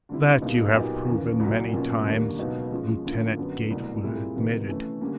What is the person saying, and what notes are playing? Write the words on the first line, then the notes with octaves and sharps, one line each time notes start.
"That you have proven many times," Lieutenant Gatewood admitted.
D3 G3 C4 E4
C#2 B2 G3 A#3 D#4
A#2 F#3 B3 D#4 G4
D#2 C#3 E3
C2 A#2 F#3
B2 F#3 A#3 C#4 F4
D#2 D3 G3 A#3
C#2 B2 F#3 B3 D#4
F3 G#3 C#4
D3 F3 A#3 C#4 E4
F#2 D3 F#3 B3
C2 B2 F#3 A3
A#2 G3 C4 E4 G#4
C3 D#3 F#3 B3
E3 A3 C#4
D3 G3 A#3 C#4